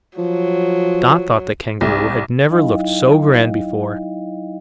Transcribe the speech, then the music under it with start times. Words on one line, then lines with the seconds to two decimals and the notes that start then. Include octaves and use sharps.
Dot thought the Kangaroo had never looked so grand before.
0.18 F3 F#3
1.81 C2
2.48 F#3 D#4 E4 D#5 F5 G5